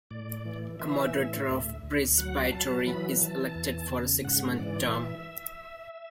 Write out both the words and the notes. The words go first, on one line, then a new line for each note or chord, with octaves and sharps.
A moderator of presbytery is elected for a six-month term.
A2 D5
E3
E3 E5
A2
D2
D2
F#3 F#5
F#3 A5
E3 B5
E3 A5
E2
C#3
G#2 F#5
E3 D5
E5